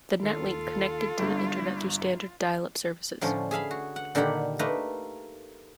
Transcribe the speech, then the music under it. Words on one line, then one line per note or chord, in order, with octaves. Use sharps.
The Net Link connected to the internet through standard dial-up services.
D#2 F4 A4
G1 G2 G3
A2 D3 F3 C#4
G#4 E5 F5 B5
F#4
F#5
A#2 D3 D#3 G4 F#5 B5
A3 A#3 D#4 B4